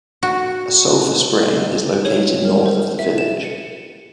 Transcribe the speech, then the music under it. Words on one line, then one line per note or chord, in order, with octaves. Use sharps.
A sulfur spring is located north of the village.
F#4
C#5
A#4
C5
E5
E7
C#7